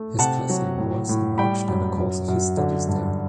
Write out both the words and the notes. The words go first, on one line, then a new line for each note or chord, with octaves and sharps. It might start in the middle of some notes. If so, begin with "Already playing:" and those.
His classical voice emerged in the course of his studies there.
Already playing: A3
C3 F#5 A5
F#3
A2
A2
G3 G5 B5
F#2
F#2
F#2
D3
G2